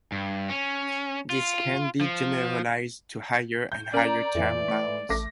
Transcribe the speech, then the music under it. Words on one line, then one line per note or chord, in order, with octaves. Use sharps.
This can be generalized to higher and higher time bounds.
G2
C#4
F4
F3
G6
C#4 A#4 D5 A#5
F2 A2 E3
A3
A1 A3 D6 A#6